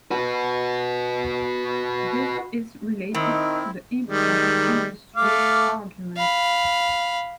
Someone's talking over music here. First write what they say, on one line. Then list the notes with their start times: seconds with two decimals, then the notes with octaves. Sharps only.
This is related to the infant industry argument.
0.11 F#4 B4
3.14 D#3 C4 D#4 E4
4.05 D#3 G3 G#3
5.16 A3 F5 D6
6.17 F5 B5